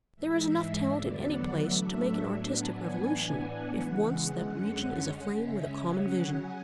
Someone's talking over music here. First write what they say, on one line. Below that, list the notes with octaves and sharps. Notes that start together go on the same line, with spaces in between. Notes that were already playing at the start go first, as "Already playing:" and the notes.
There is enough talent in any place to make an artistic revolution, if once that region is aflame with a common vision.
G#2 E3 G#3 E5
E2 D3 F#3 B3 D5
F#5
A2 F#3 A3 D4 E5
A2 F#3 B3 D4
G#5
A2 E3 B3 D4
F#5
E2 C#3 E3 G#3 F#5
F#5
F#2 D3 G#3 C#4
F#5
C#3 G#3 C#4
E5
C#3 F#3 C#4 F#5
G#5